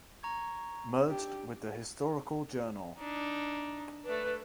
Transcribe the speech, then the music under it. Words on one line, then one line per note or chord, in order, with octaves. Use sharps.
Merged with the "Historical Journal".
A#5 C#6 G#6
D4 D#4 G4
D4 D#4
A3 D4 B4